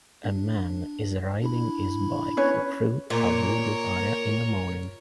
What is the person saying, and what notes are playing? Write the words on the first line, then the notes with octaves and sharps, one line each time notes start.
A man is riding his bike through a wooded area in the morning.
D4
D4 E4 B5
C#4 B4 C#5
A#2 A#4 C#5